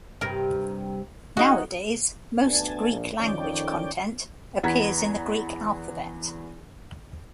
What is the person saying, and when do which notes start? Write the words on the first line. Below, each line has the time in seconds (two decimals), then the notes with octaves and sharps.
Nowadays most Greek language content appears in the Greek alphabet.
0.21 G2 C3 A#4
1.37 D#4 F#4 G#4
2.44 D2 B3 D4 G#5 A5
2.89 A#1 A#2
3.20 F2 D#3 C#4 D5 G5
4.63 E2 B3 F#5 A#5 G#6 B6